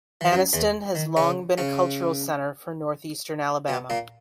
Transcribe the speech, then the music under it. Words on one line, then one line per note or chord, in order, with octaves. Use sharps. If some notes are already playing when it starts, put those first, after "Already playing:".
Anniston has long been a cultural center for northeastern Alabama.
E3
F#2 F#3
E2 E3
D#3
C#3 C#4
C#3 C#4
B2 B3
A#2 A#3